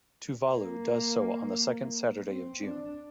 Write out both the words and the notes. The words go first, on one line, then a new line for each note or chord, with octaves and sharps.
Tuvalu does so on the second Saturday of June.
A#3
C4
D4